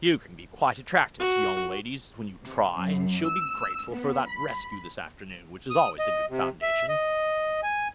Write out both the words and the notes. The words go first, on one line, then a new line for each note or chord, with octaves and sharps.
You can be quite attractive to young ladies, when you try, and she'll be grateful for that rescue this afternoon, which is always a good foundation.
F#4
C3
F#2
E6
B3
B5
D#6
D#5
C3
E5
D#5
G#5